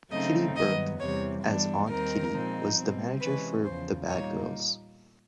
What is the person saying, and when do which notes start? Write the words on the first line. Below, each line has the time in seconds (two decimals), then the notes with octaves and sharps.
Kitty Burke as Aunt Kitty, was the manager for the Bad Girls.
0.11 C#3 F#3 A3 C4 D#4 D#5
0.56 G2 D#3 F#3 B3 D#5
1.00 E2 C3 E3 G3 C#5
1.44 G2 E3 G3 B3 D4
1.88 D#2 D#3 G3 C4 D#4 A#4
2.32 A#2 F3 G#3 C4 D#4
2.77 B2 G3 C4
3.20 C3 E3 G#3 C#4 B4
3.64 E2 C#3 F3 C5
4.09 A#2 G3 A#3 D#4 C#5